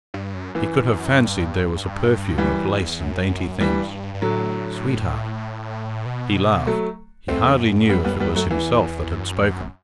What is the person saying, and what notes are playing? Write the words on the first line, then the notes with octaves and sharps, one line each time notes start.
He could have fancied there was a perfume of lace and dainty things. "Sweetheart!" He laughed--he hardly knew if it was himself that had spoken.
G2
F#2
F#2 E3
G2
F#2 E3 G3
E2
F#2
G2 E3 G3
G2
A2 D3 F#3
B2
F#3 A3
E2 A3 C4
F#2
G3 B3
G3 B3
G3 B3
F#3 A3
E2 E3
F#2
E2
F#2